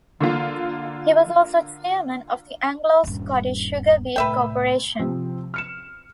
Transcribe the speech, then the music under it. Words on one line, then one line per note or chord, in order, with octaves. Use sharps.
He was also chairman of the Anglo-Scottish Sugar Beet Corporation.
D3 A#3 F4
D#1 G2
C2 A2 B4 E5 G5
C3 F3 C4
F6 C#7 E7